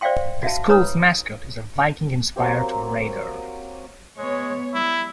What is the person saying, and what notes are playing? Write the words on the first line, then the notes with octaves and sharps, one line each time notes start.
The school's mascot is a Viking-inspired "Raider".
C5 D5 E5 F5 G5 C6
F#4 E5 F5 A5
D#4 B4 C#5 A#5 B5 D#6
F#3 A#3 C4 G4
G#3 B3 C#5
G3 E4